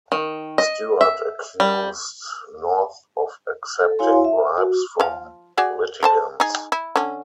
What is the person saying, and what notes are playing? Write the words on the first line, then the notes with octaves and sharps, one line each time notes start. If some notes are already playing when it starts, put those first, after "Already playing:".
Stewart accused North of accepting bribes from litigants.
D#3
D#5
E5
G3
A4
E4 F#4 C#5 F5 G#5 C6
E5
F#4
F3 F5
F#4 G#4 D5
A4 C5 A5
D#4 G#4
E4
D3 C#4